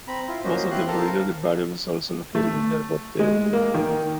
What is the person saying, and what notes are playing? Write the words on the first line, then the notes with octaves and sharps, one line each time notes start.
Most of the Merino herbarium is also located in the arboretum.
C4 A#5 B5
E4 F4
A#3 C#4 F#4 C5 D#5
C4 E4 F4 G4 C6 F#6
A4 A#4 C5 F5 A5 A#5
A3
G#3
A#3
D#3